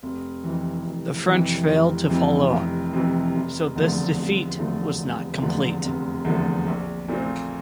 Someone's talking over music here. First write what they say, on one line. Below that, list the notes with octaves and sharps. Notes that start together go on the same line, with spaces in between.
The French failed to follow up, so this defeat was not complete.
F1
F2 C3 E3
F1
F2 C3 E3
F1
F2 C3 E3
F1
F2 C3 E3
F1
E2 D3 F3 A3
F1
E2 D3 F3 A3
F1
E2 D3 F3 A3
F1
E2 D3 F3 A3
A#1
A#2 A3 C4